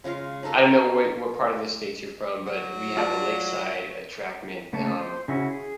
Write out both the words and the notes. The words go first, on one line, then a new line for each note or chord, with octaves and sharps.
I don't know wh what part of the States you're from, but we have a lakeside attraction, um,
C#3 G#3 F4 F5
C#4 D#4 A4 A#4
F#3
F4 D5 A5
C#3 A3 A#3 C#5 A5
C5
C#3 C#4 E4 F#4
G#4